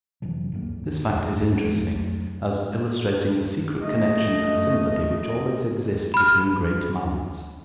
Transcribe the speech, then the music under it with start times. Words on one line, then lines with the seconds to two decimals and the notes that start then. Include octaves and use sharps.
This fact is interesting, as illustrating the secret connection and sympathy which always exist between great minds.
0.22 F1 C3 E3 F#3
0.52 D2 G2 F#3 A#3
1.09 E1 F2
1.33 D1 F#2 A2
1.75 F2 F#3 A3
3.82 A3 D#5
6.14 B5 F6